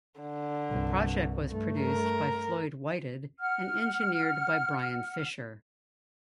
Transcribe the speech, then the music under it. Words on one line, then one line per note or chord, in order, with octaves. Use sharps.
The project was produced by Floyd Whited and engineered by Brian Fisher.
D3
C2 G2
G2 A3
A#4
F#5 F6